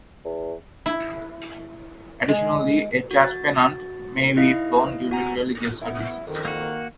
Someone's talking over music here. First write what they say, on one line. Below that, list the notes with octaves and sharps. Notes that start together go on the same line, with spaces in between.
Additionally, a Church pennant may be flown during religious services.
E2
E4
G#3
F#4 A6
D#4 E4 D#5 F5
F#4 F#5 G#5 A#5
B3 E4
F2 D#3
A#3 F#4